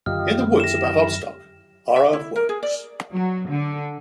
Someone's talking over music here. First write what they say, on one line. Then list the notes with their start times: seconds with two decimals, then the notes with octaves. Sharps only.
In the woods about Odstock are earthworks.
0.06 F#2 D3 D#3 F4 G4 D#5 F6
0.60 E4 G4 A#6 E7
1.96 E5
2.13 E4
2.36 A#4
2.49 G#4
2.63 D5
3.13 F#3
3.49 D3